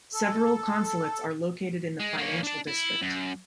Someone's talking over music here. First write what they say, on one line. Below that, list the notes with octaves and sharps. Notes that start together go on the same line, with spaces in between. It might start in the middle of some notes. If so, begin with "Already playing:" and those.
Several consulates are located in the financial district.
A4
G#3
A#3 C#4
D4 A5
E4
F#2